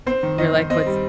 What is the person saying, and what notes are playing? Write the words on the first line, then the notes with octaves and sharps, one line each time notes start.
You're like, "What's
C4 C5
D#3
D#3 D#5
D#3
C4 D#5
G3